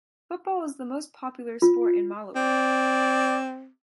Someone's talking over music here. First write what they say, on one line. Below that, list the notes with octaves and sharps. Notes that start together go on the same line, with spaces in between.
Football is the most popular sport in Malawi.
F4
C4 D5